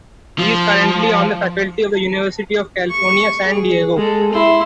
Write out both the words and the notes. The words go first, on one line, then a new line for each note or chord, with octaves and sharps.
He is currently on the faculty of the University of California, San Diego.
F3
C#6
G#4
G#3 A4
E4 C6